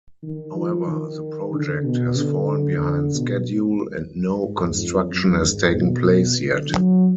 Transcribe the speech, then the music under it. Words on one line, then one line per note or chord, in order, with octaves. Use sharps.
However, the project has fallen behind schedule, and no construction has taken place yet.
D#3
F3
D#3
D3
B2
D3
B2
G#2
F2
F#2
G#2
B2
D3
F#3